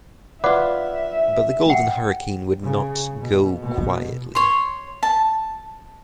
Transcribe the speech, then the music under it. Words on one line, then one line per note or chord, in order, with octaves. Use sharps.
But the Golden Hurricane would not go quietly.
F4 B4 D5 E5 F#5 D6
F#5 G5
C#3
B2
B2
C#5 C6
A5